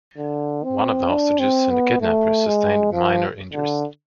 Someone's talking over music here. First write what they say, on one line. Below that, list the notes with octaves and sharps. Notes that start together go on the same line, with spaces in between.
One of the hostages and the kidnapper sustained minor injuries.
D3
C4
D4
C4
B3
A3
G#3
F3
D3